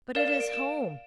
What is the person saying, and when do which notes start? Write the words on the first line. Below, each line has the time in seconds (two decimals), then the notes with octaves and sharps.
But it is home.
0.15 A#4 D5 F5 E7
0.28 E7
0.40 D7
0.54 E7